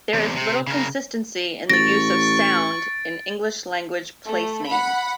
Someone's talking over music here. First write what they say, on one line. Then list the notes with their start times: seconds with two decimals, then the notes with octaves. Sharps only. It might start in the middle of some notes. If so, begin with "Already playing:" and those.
There is little consistency in the use of "sound" in English-language place names.
0.14 E2 C3
0.36 C3
0.67 C#3 A#4
1.70 A1 C#6 A6 A#6 D7
4.26 A3
4.68 F#5 B5